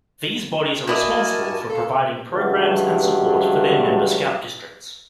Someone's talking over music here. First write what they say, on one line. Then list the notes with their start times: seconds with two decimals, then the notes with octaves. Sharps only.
These bodies are responsible for providing programmes and support for their member Scout Districts.
0.87 E4 F#4 A#4 D5 D#5 G#5 A5 G#6
1.70 A4 F5
2.32 C#2 G2 E3 F#3